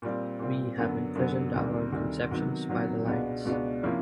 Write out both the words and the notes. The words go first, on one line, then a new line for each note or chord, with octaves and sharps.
We have imprisoned our own conceptions by the lines.
A#2 G3 C4
A#2 G3 C4
F#2 D3 F#3 B3
F#2 D3 F#3 B3
D2 C3 D#3 G3
D2 C3 D#3 G3
C3 D#3 F#3 B3
C3 D#3 F#3 B3
C#2 B2 G#3 B3 D4
C#2 B2 G#3 B3 D4
C3 F3 A#3 C#4 E4